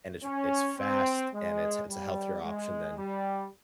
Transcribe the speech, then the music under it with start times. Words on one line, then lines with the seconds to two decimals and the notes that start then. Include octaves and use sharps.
and it's it's fast, and it's it's a healthier option than,
0.24 C#4
0.79 C4
1.34 G#3
1.89 G3
2.43 G#3
2.97 G3